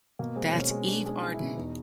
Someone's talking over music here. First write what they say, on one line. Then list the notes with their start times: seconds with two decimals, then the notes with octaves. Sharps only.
That's Eve Arden.
0.19 B2 A#3
0.36 G#3 C4
0.53 B2 C#4
0.70 G#3
0.88 G#3 D4
1.06 G#3
1.11 D#4
1.22 G#3
1.34 E4
1.40 B2
1.57 E2 D#4